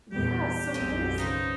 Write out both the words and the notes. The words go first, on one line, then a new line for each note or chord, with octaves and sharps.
yeah, so what is
E2 A#2 G3 B3 G4
B1 F#2 A2 C3 G#3
C#3 D#4 B4 C5